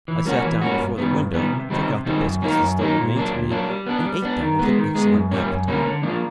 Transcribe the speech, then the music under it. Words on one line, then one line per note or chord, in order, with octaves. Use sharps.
I sat down before the window, took out the biscuits that still remained to me, and ate them with an excellent appetite.
E3
G3 A#3 C#4 F#4
E3
G3 A#3 C#4 F#4
G2
D#3 G3 B3
G2
D#3 G3 B3
C3
D#3 G3 C4 D#4
C3
D#3 G3 C4 D#4
F#2
D#3 F#3 A#3 D#4
F#2
D#3 F#3 A#3 D#4
A#2
F#3 A#3 D4
A#2
F#3 A#3 D4
G3
B3 D4
G3
B3 D4
D#3
G#3 B3
D#3
G#3 B3
F#2
D3 G3 A#3 C#4
F#2
D3 G3 A#3 C#4
D3
F3 A#3 D4